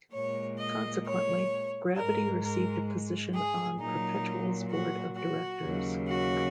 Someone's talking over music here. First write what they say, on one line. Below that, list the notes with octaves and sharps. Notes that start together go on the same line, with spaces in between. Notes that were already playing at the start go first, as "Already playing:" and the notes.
Consequently, Gravity received a position on Perpetual's board of directors.
A#2 G#3 C#5
D#5
C#5
G#2 G#3 A#4
A#4
G#4
A#2 F#3 D#4
F#4
F#4
D#2 C#3 F#3
F#4